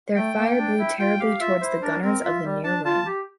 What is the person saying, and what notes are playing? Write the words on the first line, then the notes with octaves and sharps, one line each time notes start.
Their fire blew terribly towards the gunners of the near room.
A3 G5
A#3
D4
E4
F4 G5
G4 F5
F4 E5
E4 C5
D4 A#4
C4 A#4
F4 E5
G3
D4 A5
F4 A5
G4